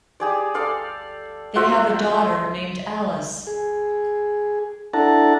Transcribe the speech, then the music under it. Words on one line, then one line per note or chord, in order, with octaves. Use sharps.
They have a daughter named Alice.
G4 G#4 D5
A4 D5 F5
F4 F#4 C5 E5
G5
G#4
D4 E4 A4 F#5 A5 A#5